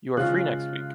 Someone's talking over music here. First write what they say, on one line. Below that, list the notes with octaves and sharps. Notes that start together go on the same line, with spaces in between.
You are free next week.
C#3 G#3 C#4 F4 F#6